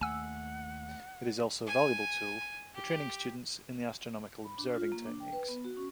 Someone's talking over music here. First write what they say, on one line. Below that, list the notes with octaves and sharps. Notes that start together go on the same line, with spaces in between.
It is also a valuable tool for training students in the astronomical observing techniques.
D#2 A3 F#5 G#5 E6
G#5
G4
B5
D4
F4
A#3
D4
G5
B4
B3
F#4
C#4